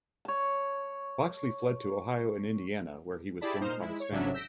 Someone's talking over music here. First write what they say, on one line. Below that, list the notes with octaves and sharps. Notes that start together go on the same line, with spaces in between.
Boxley fled to Ohio and Indiana, where he was joined by his family.
C#5 A5
E4 G4 G#4 D5 A5 B5
A#2 D#4 C5 F6
G#3 E4
C#5 C#6
G#1 C#3 F#3 C#4 D4 E5
E6 G6 A#6 B6 D7